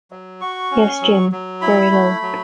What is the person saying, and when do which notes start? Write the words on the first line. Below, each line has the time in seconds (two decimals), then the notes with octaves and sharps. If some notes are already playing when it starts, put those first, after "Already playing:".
"Yes, Jim" - very low.
0.11 F#3
0.41 F#4 C#6
0.71 C#4
1.01 F#3
1.32 F#3
1.62 E4 B5
1.92 A3
2.22 F#3